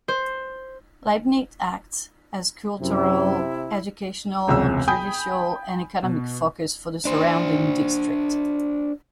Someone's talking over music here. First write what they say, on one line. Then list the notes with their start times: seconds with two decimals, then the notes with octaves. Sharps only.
Leibnitz acts as a cultural, educational, judicial and economic focus for the surrounding district.
0.08 C5
2.81 F#2 C3 E4
4.48 E1 C#2 C3 E6
4.88 G5 G#5 B5 D#6 G6
6.03 B2
7.05 D4 C5